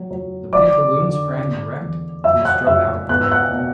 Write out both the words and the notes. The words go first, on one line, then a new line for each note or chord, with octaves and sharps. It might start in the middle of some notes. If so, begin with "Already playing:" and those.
The pantaloon sprang erect and strode out of the room.
Already playing: F#3
F#3
F#3 D5 D6
D3
D4
E2
F#2 E5 E6
F#5 F#6
F#2 E5 E6
B3 F#6
E6
F#5 F#6
B2